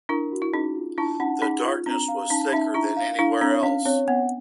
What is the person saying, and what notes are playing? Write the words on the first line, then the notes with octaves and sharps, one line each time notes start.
The darkness was thicker than anywhere else.
D4 E4 A#4
F#4
E4
C#4 D#4 G#4
F4
D4 E4 A5
C#4 D#4 F#5
C#4 D#4 G#4
F4
C4 D4 A#5
F5
C#4 D#4 A5
C#4 D#4 E5
D4 E4 A#5
F5
D4 E4 F5
C4 D4 C#5
C#4 F5
C4 C#5
B3 F#5